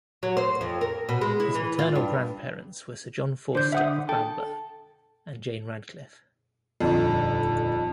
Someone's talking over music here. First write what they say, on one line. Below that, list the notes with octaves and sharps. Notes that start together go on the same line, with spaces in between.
His maternal grandparents were Sir John Forster of Bamburgh and Jane Radcliffe.
F#3
C5
F2
A#4
B2
G#3
E4
E3
F4
G2
D3 C5 G6
E5 F#5 D#6
A4 G5
D#1 F2 D3 D#4